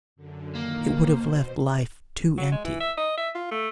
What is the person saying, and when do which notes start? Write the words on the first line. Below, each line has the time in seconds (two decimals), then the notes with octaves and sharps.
It would have left life too empty.
0.16 F#2 D3
0.55 A#2 D#3 A#3
0.94 B2 C5
2.38 F#3
2.52 G#3
2.64 E3
2.80 E5
2.97 D#5
3.17 E5
3.35 F4
3.51 A3